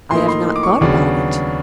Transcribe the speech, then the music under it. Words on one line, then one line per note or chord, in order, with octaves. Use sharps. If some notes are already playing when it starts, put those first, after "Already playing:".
"I have not thought about it."
A2 F3 A#3 D#4 C6
C6
D6
C#6
D#2 C#3 F#3 B3 D4